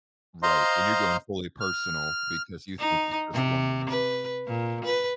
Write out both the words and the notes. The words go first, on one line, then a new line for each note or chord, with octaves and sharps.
Right, and you're going fully personal because you think it's just one, one, one.
C5 D#5 F5 A#5 C6
F6
D#4
C3
B4
A#2
B4